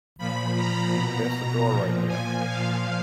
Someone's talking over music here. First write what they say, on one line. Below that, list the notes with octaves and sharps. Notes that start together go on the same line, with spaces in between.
There's the door right there.
A#2 F3 B5
A#5
B2
A#2 F3
G#5
A#2 F3 F5